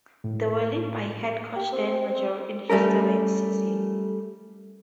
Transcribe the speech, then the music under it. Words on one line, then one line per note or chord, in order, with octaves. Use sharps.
They were led by head coach Dan Majerle in his seventh season.
A2
G4
C4
C4
C4
G3 A3 C#4 A#4